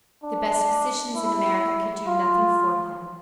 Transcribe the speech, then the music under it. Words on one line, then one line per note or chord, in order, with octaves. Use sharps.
The best physicians in America could do nothing for him.
D4
E4
F4